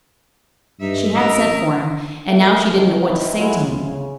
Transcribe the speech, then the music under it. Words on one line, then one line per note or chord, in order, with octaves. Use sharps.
She had sent for him, and now she didn't know what to say to him.
G2 D#4 E5
A1 A#4 D#5 E6
A#3 G4 A4 E5
C#2
E3 C4 D#4 E4
G#2 F#3 G#3 E4 F4
C#3